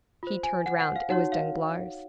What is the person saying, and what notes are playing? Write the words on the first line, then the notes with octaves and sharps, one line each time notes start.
He turned round; it was Danglars.
F4 C5
G#5
F#5
F#5
F5
D#4 F#4 C#5 F#5
F5